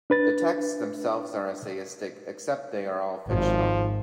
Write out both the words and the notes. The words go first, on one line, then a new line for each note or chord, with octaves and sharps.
The texts themselves are essayistic, except that they are all fictional.
D4 B4 A6
G#1 F3